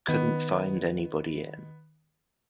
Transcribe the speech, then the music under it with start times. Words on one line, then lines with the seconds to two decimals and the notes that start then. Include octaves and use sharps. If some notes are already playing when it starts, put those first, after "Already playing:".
Couldn't find anybody in.
0.09 D#3 B3